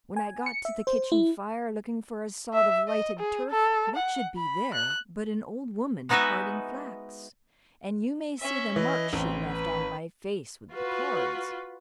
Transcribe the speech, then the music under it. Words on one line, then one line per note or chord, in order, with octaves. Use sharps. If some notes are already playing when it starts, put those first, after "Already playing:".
When I got to the kitchen fire, looking for a sod of lighted turf, what should be there but an old woman carding flax, and you may see the marks she left on my face with the cards.
G#5
C#7
E5
C5
E4
E5
D#5
G#4
A4
F#5
B5
F#6
G#3 B3 D#4 F#4 B4 E5
C#4 E5
E3 D#5
A1 B3 C4
B4
F4 F#4 B4